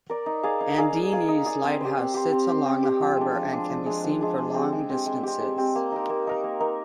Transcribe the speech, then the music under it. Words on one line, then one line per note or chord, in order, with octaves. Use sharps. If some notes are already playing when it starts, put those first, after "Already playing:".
Andenes Lighthouse sits along the harbor and can be seen for long distances.
A#4 D5
D#4
G#4 D5 F5
D#4
G#4 D5 F5
D#4
G#4 D5 F5
D#4
G#4 D5 F5
C4
G4 C5
C4
G4 C5
C4
G4 C5
C4
G4 C5
F3
G#3 D4
F3
G#3 D4
F3
G#3 D4
F3
G#3 D4
G#3
C4 G4
G#3
C4 G4
G#3
C4 G4
G#3
C4 G4
A#3
D#4 A#4
A#3
D#4 A#4
A#3
D#4 A#4